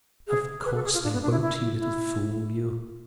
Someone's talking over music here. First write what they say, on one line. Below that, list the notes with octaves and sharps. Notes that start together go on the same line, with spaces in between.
"Of course they won't, you little fool, you."
G#4
B4
A4
G#4
F4
D4
B3
D4
E4
E4
E4